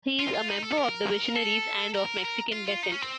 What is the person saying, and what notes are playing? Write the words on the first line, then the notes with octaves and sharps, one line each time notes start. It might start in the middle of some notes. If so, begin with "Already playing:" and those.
He is a member of The Visionaries and Of Mexican Descent.
F4
F4
D#4
A4
A#4
A4
A#4
A#4
F4
F4
D#4
C#4
C4